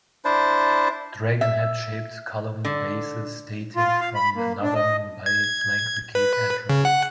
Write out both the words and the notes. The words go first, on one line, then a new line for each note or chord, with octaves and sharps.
Dragon-head shaped column bases dating from the Northern Wei flank the cave entrance.
D4 E4 C5 A5
E5
D3
F4
F5
B5
A#3
D4
D#5
G#6
B4
C#3
F#5